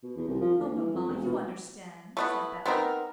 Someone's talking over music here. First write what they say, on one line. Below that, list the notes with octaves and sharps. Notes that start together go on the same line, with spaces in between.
"Oh, mamma, you understand," said Bell.
B2
E2
C2
F3
D2
E3
F2
E1
B2
A3 B3 E4
B3 C4 D#4 A#4